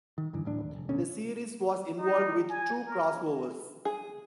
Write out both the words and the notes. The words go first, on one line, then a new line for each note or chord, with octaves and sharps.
The series was involved with two crossovers.
D#3
G2 D3 E3
D1 A2 D4
D#2
F1
C2 B2 D3 C#4
D#4
G#5
A#4
G#4